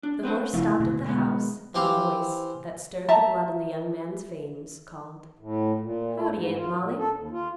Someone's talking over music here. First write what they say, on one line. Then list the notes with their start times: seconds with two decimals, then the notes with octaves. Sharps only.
The horse stopped at the house and a voice, that stirred the blood in the young man's veins, called, "Howdy, Aunt Mollie."
0.03 D4
0.23 C4 B4 C5
0.53 C#3 E3 F3 A3 E4 F5
0.80 B2 D3 F#3
1.06 G#3 B3
1.75 E3 C4 G4 F5
3.09 E5 A5 A#5
5.39 A2
5.80 A#2
6.15 A3
6.31 G#2
6.55 F4
6.77 A#2
6.98 A4
7.14 D#2
7.31 F4